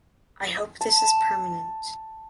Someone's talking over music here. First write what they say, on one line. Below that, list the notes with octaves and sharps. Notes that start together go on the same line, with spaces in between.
I hope this is permanent.
A5